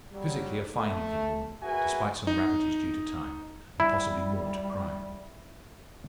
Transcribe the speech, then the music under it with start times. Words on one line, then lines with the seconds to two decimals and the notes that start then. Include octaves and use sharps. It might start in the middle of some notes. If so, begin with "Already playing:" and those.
Physically a fine-looking woman, despite some ravages due to time, and possibly more to crime.
0.12 F#3 G3
0.74 A3
1.63 F#4 G#4 A#4 B4 E5 G#5
2.27 D#4
3.80 G3 E4